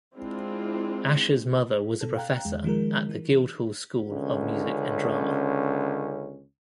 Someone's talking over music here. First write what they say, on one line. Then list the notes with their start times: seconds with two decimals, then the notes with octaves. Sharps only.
Asher's mother was a professor at the Guildhall School of Music and Drama.
0.17 G#3 C4 D4 E4 F4
2.01 B2 A4
2.16 F5 G5 A#5 F#6
2.45 E2 G#3
2.64 D#3 F3 G#3 A#4
3.09 E3
4.11 C#2 D3 C#4